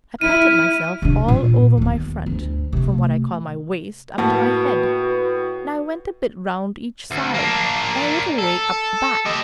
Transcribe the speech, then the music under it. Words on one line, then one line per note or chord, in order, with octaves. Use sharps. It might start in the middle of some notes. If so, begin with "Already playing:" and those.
I patted myself all over my front, from what I call my waist up to my head, and I went a bit round each side, and a little way up the back.
E4 F6 D#7
C3 D4
A#2
D#2 B3
D2
C3 A3
A2 A#3 F#4 B4 F#5 A5
D2
A#3 D4
A4
G4 D#5